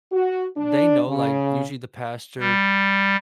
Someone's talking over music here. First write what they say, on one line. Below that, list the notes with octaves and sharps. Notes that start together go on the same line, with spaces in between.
they know, like usually the pastor
F#4
D4
C#3
G3